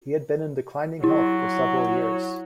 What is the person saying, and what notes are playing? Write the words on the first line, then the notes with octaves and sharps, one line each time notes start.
He had been in declining health for several years.
F#3 E4